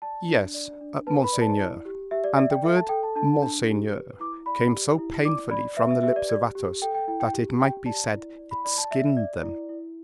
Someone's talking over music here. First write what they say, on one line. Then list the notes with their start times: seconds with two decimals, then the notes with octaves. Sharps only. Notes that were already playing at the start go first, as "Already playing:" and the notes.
"Yes, monseigneur." And the word "monseigneur" came so painfully from the lips of Athos that it might be said it skinned them.
0.02 D5 A5
0.28 D4
0.54 D5
0.81 D4
1.07 B4 A5
1.24 B5
1.33 D5
1.41 A5
1.59 E4
1.85 G4
2.11 G4 E5
2.24 D5
2.37 D5 E5
2.51 G5
2.64 A4 E5
2.76 A5
2.89 A4 G5
3.03 A5
3.16 D4 A5
3.42 D4
3.68 G4
3.94 B4
4.20 E4 D6
4.46 D5 B5
4.73 G4
4.98 E4
5.24 D5 D6
5.51 D5 B5
5.77 B4 E5
5.91 E5
6.03 G4 E5
6.16 D5
6.29 D5
6.55 G4
6.82 A4 G5
6.95 G5
7.08 E4 G5
7.20 G5
7.33 G4
7.60 G4 G5
7.86 D5 A5
8.12 E4
8.38 D5
8.51 B5
8.65 D5 B5
8.78 A5
8.91 D5 E5
9.17 D5
9.43 E4
9.69 E4